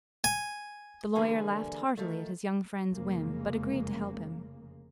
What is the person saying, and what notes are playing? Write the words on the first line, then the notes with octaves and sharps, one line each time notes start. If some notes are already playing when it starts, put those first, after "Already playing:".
The lawyer laughed heartily at his young friend's whim, but agreed to help him.
G#5
D3 E3 G3 A#3 G#4 G#5
D#3 F3 A3
F1 C#3 G#3 A#3